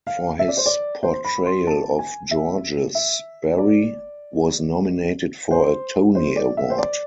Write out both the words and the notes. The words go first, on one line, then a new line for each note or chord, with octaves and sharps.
For his portrayal of Georges, Barry was nominated for a Tony Award.
F5
E5
D5
C5
D5
C5
B5
C6
A5
G#5
E5
E5
D5
C5
C5
D5
E5
C5
D5